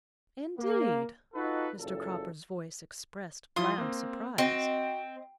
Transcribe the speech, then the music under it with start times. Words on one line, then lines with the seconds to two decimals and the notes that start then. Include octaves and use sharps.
"Indeed!" Mr. Cropper's voice expressed bland surprise.
0.58 A#3
1.34 D#4 F4 F#4 A4 B4
1.77 F#1 A#2 A4
3.56 F3 E4 F4 C6 D#6
3.78 A#3 C4
4.38 C4 F#4 D#5